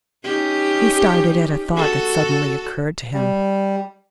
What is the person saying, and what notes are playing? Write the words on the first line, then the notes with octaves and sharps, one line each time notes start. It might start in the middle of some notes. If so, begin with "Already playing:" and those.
He started at a thought that suddenly occurred to him.
C#4 D#4 G4
F#4 A4
G3